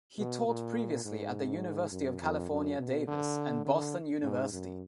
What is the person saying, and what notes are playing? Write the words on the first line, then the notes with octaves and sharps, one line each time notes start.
He taught previously at the University of California, Davis and Boston University.
B2
A#2
G#2
F#2
F2
F#2
B2
D3
D3
G#2
F#2